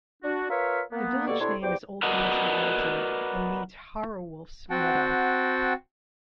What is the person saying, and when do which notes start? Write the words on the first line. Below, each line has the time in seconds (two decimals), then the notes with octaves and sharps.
The village name is Old English in origin, and means 'Heoruwulf's meadow'.
0.23 D4 F#4
0.50 F4 A#4 B4 C#5 E5 F5
0.92 A#3 B3
1.27 B2 G3 A#3 A4 D5 C#6
1.40 C3 D4 E4 A4 C#5 C6
1.63 E2 G3 C5 G5 D6
2.03 F#4 A#4 B4 D5 D#5 F#5
4.70 C4 F#4 F#5 G5 A5